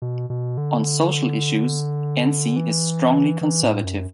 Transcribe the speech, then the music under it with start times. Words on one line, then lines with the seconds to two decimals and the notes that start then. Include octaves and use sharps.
On social issues, Enzi is strongly conservative.
0.02 B2
0.30 B2
0.57 D3
2.56 E3
3.41 E3
3.63 A2
3.84 F#2